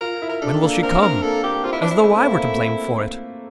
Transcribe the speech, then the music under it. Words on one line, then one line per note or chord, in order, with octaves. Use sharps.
When will she come?'--as though I were to blame for it.
F4 A#4
E4
A#4
D4 A4
A#3
C4 A#4
D4 A#4
A#3 A4
A#3 G4
C4 F4
E4
C4 D4
E4
A3
C4
A#3
A3